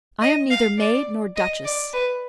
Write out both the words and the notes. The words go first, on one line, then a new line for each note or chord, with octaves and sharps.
I am neither maid nor duchess.
D#5
F5
D5
D#5
D5
B4